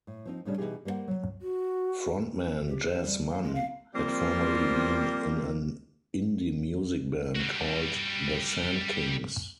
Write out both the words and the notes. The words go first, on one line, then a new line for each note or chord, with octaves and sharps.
Frontman Jas Mann had formerly been in an indie music band, called The Sandkings.
A2
F3 C4 D#4
A2 C#3 G3 C#4 D4
B2 D#3 E3 D#4 G4 G#4
G3 A#3 B4 C5 F#5
F#3
F#4
G4
C5
G3
F5
G#3
F5
F3 G3 A#3 C4
G3 F#4